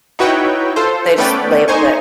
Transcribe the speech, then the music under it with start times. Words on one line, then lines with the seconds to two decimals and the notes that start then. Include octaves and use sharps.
They just labeled it.
0.19 D#4 E4 F#4 B4 C#5 G5
0.76 F4 A4 C5
1.18 A3 B3 C#4 B4 D5 G5
1.68 D#4 C5 G#5 C#6